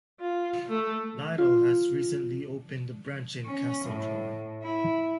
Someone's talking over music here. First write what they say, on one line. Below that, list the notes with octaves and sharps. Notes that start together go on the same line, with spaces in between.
Lidl have recently opened a branch in Castletroy.
F4
A3
F4
C#4
A2
E4